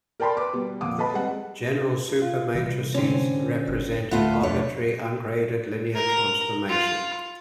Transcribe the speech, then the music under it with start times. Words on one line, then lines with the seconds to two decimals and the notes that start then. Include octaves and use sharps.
General supermatrices represent an arbitrary ungraded linear transformation.
0.20 A#4 D5 G5 A5 B5 C6
0.37 B4 D6
0.53 B2 G3
0.81 F2 A#2 F4 F#5 D6 D#6
0.98 A4 B4 D#5 A5 B5
1.14 G3 G#3 C4 F#5
2.22 F4
2.55 C3 E3 G3
2.94 D3 C4 C#4
3.68 G1
4.11 D2 A2 A3 B3 F4 A4
4.43 F2 F#3 A3 D4 C#5
5.96 A#4
6.70 F4